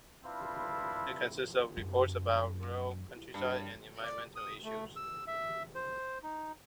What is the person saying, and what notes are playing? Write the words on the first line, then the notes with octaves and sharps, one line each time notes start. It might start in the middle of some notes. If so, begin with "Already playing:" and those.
It consists of reports about rural, countryside and environmental issues.
C4 D4 E4 F4 B4
F#2
G2
D5
D#6
A3
E6
E5
C5
D#4